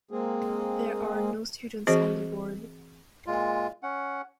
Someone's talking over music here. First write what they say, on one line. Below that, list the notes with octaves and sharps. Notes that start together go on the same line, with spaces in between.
There are no students on the Board.
G#3 A#3 C4 G#4
E3 C4 F#4 G#4 C5 D#5
A#2 G#3 F4
C#4 F#5